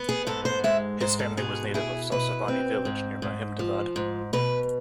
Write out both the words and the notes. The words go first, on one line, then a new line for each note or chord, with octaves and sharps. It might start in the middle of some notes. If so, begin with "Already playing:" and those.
His family was native of Sarsavani village near Mahemdavad.
Already playing: B3
G#4
G#2 A4
C5
G#3 E5
G#2 C5
A4
B2 G#4
E4 G#4
B2 B4
C4
G#2
G#2
F3
G#2
B2 B4